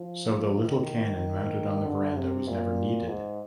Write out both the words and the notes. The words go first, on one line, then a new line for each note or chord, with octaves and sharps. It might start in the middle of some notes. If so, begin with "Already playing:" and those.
So the little cannon mounted on the verandah was never 'needed.
Already playing: F3
D#3
D3
C3
A#2
G#2